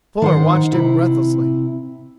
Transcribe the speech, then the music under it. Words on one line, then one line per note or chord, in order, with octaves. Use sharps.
Fuller watched it breathlessly.
D#3 C5 F#5
C3 E4